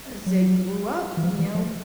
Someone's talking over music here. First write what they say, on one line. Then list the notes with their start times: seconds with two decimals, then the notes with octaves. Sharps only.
as I grew up, you know,
0.26 F#3
1.17 E3
1.23 F3
1.39 E3
1.55 F3